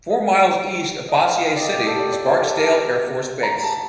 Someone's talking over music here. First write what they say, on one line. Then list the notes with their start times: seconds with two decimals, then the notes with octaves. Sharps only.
Four miles east of Bossier City is Barksdale Air Force Base.
0.10 D#5
1.09 D#5
1.28 F5
1.38 G5
1.47 F5
1.56 D5
1.60 D#5
1.74 G4
1.87 A4
1.99 D5
2.12 D5
2.26 C5
2.36 G4
2.45 A4
2.56 A#4
2.65 A5
3.43 A#5
3.63 A5